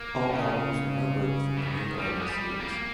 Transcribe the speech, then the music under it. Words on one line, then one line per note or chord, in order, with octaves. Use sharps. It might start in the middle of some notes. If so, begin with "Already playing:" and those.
All albums were numbered within the main Island series.
Already playing: A#3
C#3
E3
D#3
G3
G#3
G3
A#3